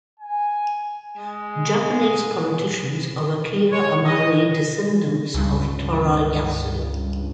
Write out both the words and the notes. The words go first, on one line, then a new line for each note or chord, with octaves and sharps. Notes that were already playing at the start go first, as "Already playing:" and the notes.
Japanese Politicians of Akira Amari descendants of Torayasu.
G#5
G#3
C#5
D#5
C#2 G2